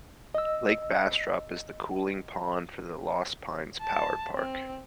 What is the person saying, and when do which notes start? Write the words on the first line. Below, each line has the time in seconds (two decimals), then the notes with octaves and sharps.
Lake Bastrop is the cooling pond for the Lost Pines Power Park.
0.35 D#5 E6
3.81 A5
4.34 C4